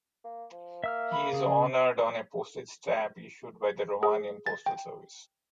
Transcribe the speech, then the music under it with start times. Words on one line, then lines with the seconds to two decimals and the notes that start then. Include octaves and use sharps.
He is honored on a postage stamp issued by the Romanian Postal Service.
0.24 A#3
0.52 F3
0.84 A#3 E5 E6 F6
1.12 B5
1.33 C#3 G#4
4.03 G#4
4.46 A6
4.66 G5